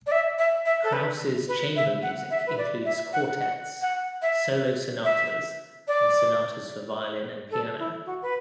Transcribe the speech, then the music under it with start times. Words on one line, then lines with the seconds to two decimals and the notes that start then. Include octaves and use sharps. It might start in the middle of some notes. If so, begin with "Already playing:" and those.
Kraus's chamber music includes quartets, solo sonatas, and sonatas for violin and piano.
0.07 D5
0.12 E5
0.39 E5
0.66 E5
0.84 A4
0.93 B4
1.48 B4
1.76 E5
2.03 F#5
2.30 E5
2.46 B4
2.58 D5
2.85 E5
3.13 F#5
3.41 F#5
3.82 F#5
4.22 E5
5.05 E5
5.88 D5
7.51 A4
7.79 E4
8.06 F#4
8.22 B4